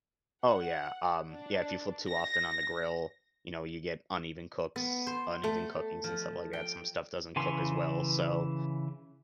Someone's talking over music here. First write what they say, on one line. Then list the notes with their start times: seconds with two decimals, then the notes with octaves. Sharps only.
Oh, yeah. Um, yeah, if you flip too often on the grill, you know, you get uneven cooks uneven cooking, and stuff like that. Some stuff doesn't cook as well, so
0.44 F#5
1.30 D4
2.07 A#6
4.76 B3
5.07 C5
5.44 A3
6.04 F3
6.53 G5
7.36 C#3 E3 B4 G#5 C6